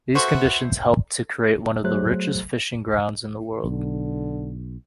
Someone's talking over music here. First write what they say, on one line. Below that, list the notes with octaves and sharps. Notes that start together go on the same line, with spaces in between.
These conditions helped to create one of the richest fishing grounds in the world.
F#4 A4 B4 C5 E5 F#5 C6 C#6
F#3 A3 G#4 C5 F#6
B1 D3